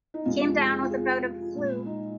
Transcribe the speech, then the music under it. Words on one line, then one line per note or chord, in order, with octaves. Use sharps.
He came down with a bout of flu.
D#4
F2 C3 G#3 F4
G#4
F4
G#4
F4
A#2 G#3
D#4